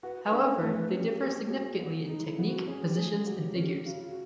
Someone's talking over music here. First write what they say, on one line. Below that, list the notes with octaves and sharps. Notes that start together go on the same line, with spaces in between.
However, they differ significantly in technique, positions, and figures.
F#4 B4
B4
D4
A4
A#4
A3 A#4
B4
C#4 G4
G4 G#4
G4
F#4 G#4
B3
D#4
G#3
E4
B3
F#4
C#4 G#4
G4
A3 G#4
F#3 G4
C#4 F#4
G4
F#4
G4
C#3 F#4
F4
F#4